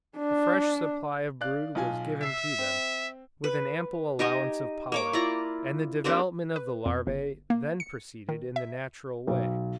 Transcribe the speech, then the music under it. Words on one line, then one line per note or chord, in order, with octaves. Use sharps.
A fresh supply of brood was given to them, with an ample allowance of pollen, and the development of the larvae then proceeded in the natural way.
D4
D5 F5 F#6
B1 F4 G#5
E5 E6 C7
C4
B4
D#4 G4 D#5 G#5
A#3 C#5 D6
E4 F4 D5 A#5
A#3 C4 D4 G4
B4
F2
G1
A#3
C#7
D#3
E5
B1